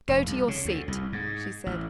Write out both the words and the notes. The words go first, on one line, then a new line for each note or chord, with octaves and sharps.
"Go to your seat," she said.
F1
C2
C#3
D2
C2
G#2
A1